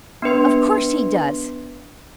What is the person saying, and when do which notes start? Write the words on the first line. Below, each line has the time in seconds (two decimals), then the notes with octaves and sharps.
Of course he does.
0.22 B3 D4 B4 C6